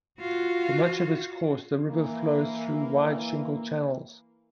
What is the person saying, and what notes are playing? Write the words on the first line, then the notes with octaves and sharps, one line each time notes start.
For much of its course the river flows through wide shingle channels.
F4 F#4
E3 A#3